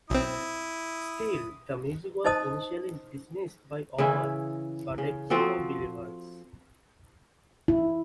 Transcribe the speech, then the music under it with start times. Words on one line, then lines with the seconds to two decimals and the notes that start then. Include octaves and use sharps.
Still, the music was initially dismissed by all but a core of believers.
0.10 B1 C4 E4 D#6
2.25 D#4 C5 D#5 A5 D#6
3.98 C#3 E3 E4
4.98 C#3
5.30 F3 C4 F#4 A4
7.68 E4